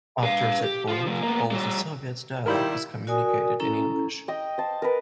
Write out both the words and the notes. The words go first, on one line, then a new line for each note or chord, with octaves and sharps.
After that point, all the Soviets' dialogue is communicated in English.
B4 F5
G4
F4 C5
C3 F3
A#3 B3
G3 F#4
D#3 F3 G3 E4 A#4 B5 G6
F#4 A#4 D5 G#5 D#6
C#4 E4 A4 A#5
D#5 G5
C5 A5
A#4 B4